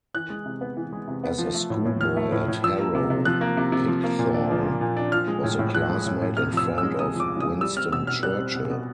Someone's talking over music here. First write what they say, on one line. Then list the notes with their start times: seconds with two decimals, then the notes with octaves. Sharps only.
As a schoolboy at Harrow Pickthall was a classmate and friend of Winston Churchill.
0.14 E3 F#6
0.30 G#3
0.46 C3
0.61 B3
0.77 E3
0.93 G#3
1.08 C3
1.24 B3
1.38 F3
1.55 A3
1.70 A2
1.85 A2
2.01 F3 F6
2.17 A3
2.32 A2
2.48 A2
2.64 F3 E6
2.79 A#3
2.95 C3
3.10 C3
3.25 F3 F#6
3.41 A#3
3.57 C3
3.72 C3
3.87 F3
4.04 A#3
4.19 A#2
4.34 D4
4.51 F3
4.65 A#3
4.81 A#2
4.97 D4
5.12 F3 F6
5.28 G#3
5.44 A2
5.59 A2
5.75 F3 F#6
5.90 G#3
6.06 A2
6.21 A2
6.37 C3 F6
6.52 F3 E6
6.68 E2
6.78 E6
6.83 G#3
6.99 C3 D#6
7.15 F3
7.20 D6
7.30 E2
7.40 D#6
7.46 G#3
7.61 G3 E6
7.76 C4 F6
7.92 B2 E6
8.07 B2 F6
8.23 G3 F#6
8.39 C4
8.55 B2
8.70 B2